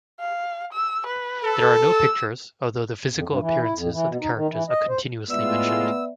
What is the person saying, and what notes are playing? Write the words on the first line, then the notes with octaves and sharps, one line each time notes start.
There are no pictures, although the physical appearances of the characters are continuously mentioned.
F5
E6
B4
A4
E6
F2
G2
E3
E4
F2
E3
B2
D#4
D#3
E3
D#5
C5
A2 G#3 B3 F4 D5 E5 E6